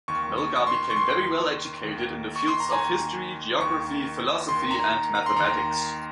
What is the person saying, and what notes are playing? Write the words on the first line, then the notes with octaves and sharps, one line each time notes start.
Melgar became very well educated in the fields of history, geography, philosophy and mathematics.
D#2 D#3 C#6
C#6
C#6
C6
C#6
D#2 D#3 C6
D#2 D#3
C#6
C6
A#5
D#2 D#3 G#5
D#2 D#3 C#6
D#2 D#3 C6
A#5
A#5
C6
D#2 D#3 A#5